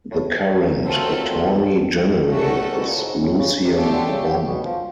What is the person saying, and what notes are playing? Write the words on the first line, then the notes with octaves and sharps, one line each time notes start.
The current Attorney-General is Lucien Wong.
A2
A2
F#2
A3 C4 F4 A4
G2 A3 C#4 F#4 A4
C3
B2
A#2
A2
G#2
A2
C#3
C3
C#3 A3 D4 G4
D3
C#3
C#3
B2
F3